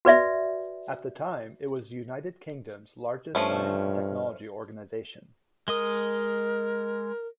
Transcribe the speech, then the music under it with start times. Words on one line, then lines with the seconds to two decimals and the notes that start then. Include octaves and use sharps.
At the time it was the United Kingdom's largest science and technology organisation.
0.05 F#4 B4 D5 E5
3.35 G2 F3 A3 C#4
5.68 G#3 A#4 D#5 D#6